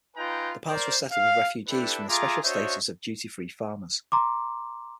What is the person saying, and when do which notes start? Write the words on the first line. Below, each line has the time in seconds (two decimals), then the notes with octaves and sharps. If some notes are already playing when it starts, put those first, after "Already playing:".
The parts were settled with refugees with the special status of duty-free farmers.
0.16 D#4 F4 B4 G5 G#5 A#5
0.67 A#4 C5 D5
1.12 F5
1.68 D4 E4 G4 A4 B4
2.08 A3 F4 G#4 A#5 D6
2.44 D4 F#4 C5 C#5 D#5 E5
4.12 A#5 C6 D6